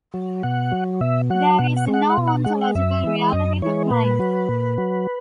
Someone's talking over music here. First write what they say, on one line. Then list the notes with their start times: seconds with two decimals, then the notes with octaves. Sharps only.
There is no ontological reality to crime.
0.14 F#3
0.43 B2 F#5
0.72 F#3
1.01 B2 E5
1.30 F#3 F#5
1.59 B2 F#5
1.77 F#5
1.88 G#3
1.94 F#5
2.10 F#5
2.18 B2
2.28 F#5
2.44 G#3 F#5
2.61 F#5
2.75 F#2 E5
3.03 E3 G#3
3.33 F#2 D#5
3.62 E3 G#3 C#5
3.90 A#2 B4
4.20 F#3
4.49 A#2
4.78 F#3